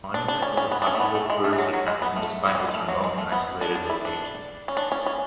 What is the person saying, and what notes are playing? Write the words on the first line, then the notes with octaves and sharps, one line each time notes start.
The monument is a popular tourist attraction despite its remote and isolated location.
D4
D4
C#4
C#4
B3
D4
C#4
A3
B3
A3
G#3
A3
E3
F#3
F#3
G#3
B3
A3
B3
C#4
B3
G#3
A3
F#3
G#3
A3
B3
D4
D4
E4
D4
C#4
D4
C#4
C#4